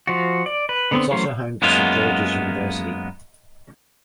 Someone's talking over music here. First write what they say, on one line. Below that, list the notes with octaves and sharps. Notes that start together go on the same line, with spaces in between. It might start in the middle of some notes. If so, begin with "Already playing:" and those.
It is also home to Saint George's University.
F3 F#4
D5
B4
D3 B3 C4
E3 F#3 A3 C#4 C5
F#2 G#3 A#3 B3 F4